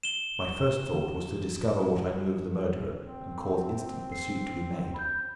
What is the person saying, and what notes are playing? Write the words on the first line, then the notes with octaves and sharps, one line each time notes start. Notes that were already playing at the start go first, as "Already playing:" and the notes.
My first thought was to discover what I knew of the murderer, and cause instant pursuit to be made.
E7 G7
C4
C7
B5 G6